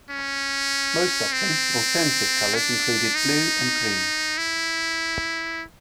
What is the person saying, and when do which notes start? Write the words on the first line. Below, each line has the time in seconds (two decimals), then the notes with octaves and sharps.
Most often, alternative colors included blue and green.
0.10 C#4
1.32 C4
2.55 D4
3.15 D#4
4.38 E4